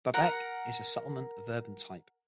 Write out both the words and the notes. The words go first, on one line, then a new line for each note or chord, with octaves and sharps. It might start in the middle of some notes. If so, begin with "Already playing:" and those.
Babek is a settlement of urban type.
A#4 F#5